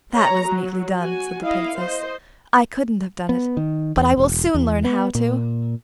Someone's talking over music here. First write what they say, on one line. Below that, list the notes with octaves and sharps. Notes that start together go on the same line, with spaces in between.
'That was neatly done!' said the Princess. 'I couldn't have done it; but I will soon learn how to!'
C#5 A#5
F#3
F#4 G#5
E4 D#5 F5
C5 D#5
B3
D#3
E2
E1
E2
B3
A#2